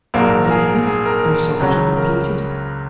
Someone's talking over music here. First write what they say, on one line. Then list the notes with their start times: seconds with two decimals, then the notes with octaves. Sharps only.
"Wait?" I softly repeated.
0.14 A#1 G#2 F#3 A#3
0.44 A#4
0.51 G#4
0.87 G#4
1.06 A#4
1.23 A#4
1.60 C#2 C#3 F#3 C#4
1.97 A#4